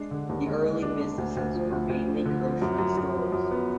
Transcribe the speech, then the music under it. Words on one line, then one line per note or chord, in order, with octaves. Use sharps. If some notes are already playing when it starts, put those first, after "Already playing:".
The early businesses were mainly grocery stores.
Already playing: G#3 D4
D3
D#2
G#3
G#3
D4
D4
D2
D2
F3
D2
D2
F3
D3
F3
F#2
F#2
F#2
F3
F#2
B3